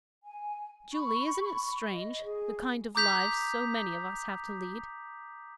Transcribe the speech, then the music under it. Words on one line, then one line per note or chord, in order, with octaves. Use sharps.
Julie, isn't it strange the kind of lives so many of us have to lead?
G#5
B5 C#6
D#5
G#4
A#5 D6 D#6 G6 B6 F7